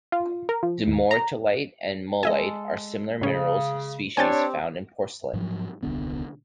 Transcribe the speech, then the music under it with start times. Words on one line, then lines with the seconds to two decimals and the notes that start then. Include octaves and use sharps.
Dumortierite and mullite are similar mineral species found in porcelain.
0.12 F4
0.49 A#4
0.63 F3
0.87 D#2
1.11 A#5
2.23 G#3 A4 D#5 E5 G#5
3.21 A2 C#3 C#4
4.17 C4 D4 G4 C5 C#5 G#5 G6 A6
5.33 G#2 F3 F#3
5.83 D#1 C2 D3 B3